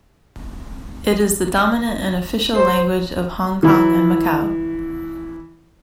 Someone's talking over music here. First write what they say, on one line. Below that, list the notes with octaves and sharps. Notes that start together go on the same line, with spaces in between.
It is the dominant and official language of Hong Kong and Macau.
C5
E3 E4